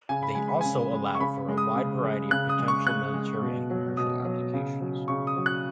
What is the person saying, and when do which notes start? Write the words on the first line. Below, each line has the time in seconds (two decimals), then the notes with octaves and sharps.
They also allow for a wide variety of potential military and commercial applications.
0.09 C#3 G#5
0.23 B5
0.35 G#3 G#5
0.48 B5
0.61 C#3 G#5
0.93 G#3
1.15 C#6
1.20 C#3 B5
1.48 G#3
1.57 D#6
1.76 C#3
2.03 G#3
2.31 C#3 F#6
2.49 D#6
2.59 G#3
2.68 C#6
2.87 C#3 F#6
3.14 G#3
3.41 B2
3.70 F#3
3.97 B2 D#6
4.25 F#3
4.54 C#3
4.81 F#3
5.08 C#3 C#6
5.27 D#6
5.37 F#3
5.46 F#6